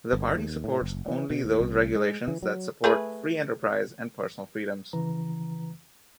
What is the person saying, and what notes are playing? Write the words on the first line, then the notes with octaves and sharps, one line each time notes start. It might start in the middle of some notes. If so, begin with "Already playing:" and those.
The party supports only those regulations that support free enterprise and personal freedoms.
G1
D#2
A2
F#1
E3
B2
D#2
C2
G#3
E3
F#3
A3 G#4 B4
C#3 E3 B4 A#5